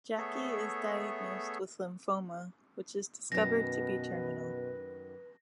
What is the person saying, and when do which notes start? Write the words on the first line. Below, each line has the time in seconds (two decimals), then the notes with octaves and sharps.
Jackie is diagnosed with lymphoma, which is discovered to be terminal.
0.18 A3 B3 G#4 A4 C#5 E5
3.32 F#2 B2 D#3 B4 A#6